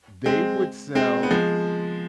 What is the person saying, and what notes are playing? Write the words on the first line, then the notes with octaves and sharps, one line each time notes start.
they would sell
G#3 C4
G#3 C4
B3
F3 G#3